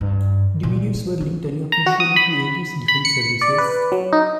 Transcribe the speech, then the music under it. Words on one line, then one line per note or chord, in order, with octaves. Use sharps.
The videos were linked unofficially to Aegis Defence Services.
G2
A#2
G3
G#3
A#5
F#4
D#6
B5
B5
C#7
D5
B4
F#3
D#4